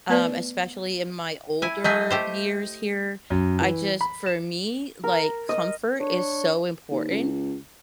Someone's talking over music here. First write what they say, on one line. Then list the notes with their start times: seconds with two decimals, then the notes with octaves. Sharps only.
um, especially in my older years here. I just for me, like, comfort is so important
0.09 A3 B3 B4 D5
1.62 E4 G#5
1.84 F#3 A3 G#4 D#5 G6 B6
2.10 A3 G4 C5
3.30 F#2
3.61 E3
4.01 B5
4.26 E7
5.04 A#4
5.49 D#5
5.98 D4 C#5
6.91 D#2
7.10 C#2